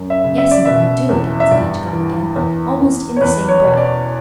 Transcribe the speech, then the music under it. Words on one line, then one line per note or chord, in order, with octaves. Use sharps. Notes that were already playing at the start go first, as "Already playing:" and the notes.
"Yes'm, I'll do it," answered each girl again, almost in the same breath.
Already playing: F#2
E5
C#3
E5
D5
B2 E5
E2
E5
G2 D5
E3
E2
E2
C#5
E2 B4
C#5
B2
D5